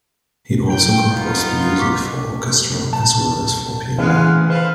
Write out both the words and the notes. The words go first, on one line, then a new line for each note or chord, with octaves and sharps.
He also composed music for orchestra as well as for piano.
E4 G5
B3 D#4 F4
C#6 D6 B6
A5
D2 C#3 E3 G#3 B3 F5
A4 B4 C5 F5